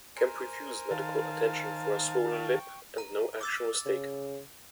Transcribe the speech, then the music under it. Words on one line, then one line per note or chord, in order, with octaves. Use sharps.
Kemp refused medical attention for a swollen lip and no action was taken.
A#4 C5 G#5
D#3 F5 A5
G5 C#6
A#5
D6 E6 A6
C#3